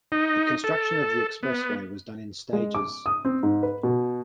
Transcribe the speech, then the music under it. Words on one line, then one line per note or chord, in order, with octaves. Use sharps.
The construction of the expressway was done in stages.
D#4
A4
B3
G#3
D6
D#6
C4
G#2
B4
B2